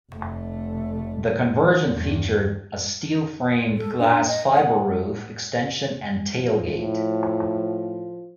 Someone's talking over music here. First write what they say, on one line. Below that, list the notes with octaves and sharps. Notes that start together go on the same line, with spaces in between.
The conversion featured a steel-framed glass fibre roof extension and tailgate.
F1 A3
E2 G2
A4
D4
D#5
F#5
F3
A2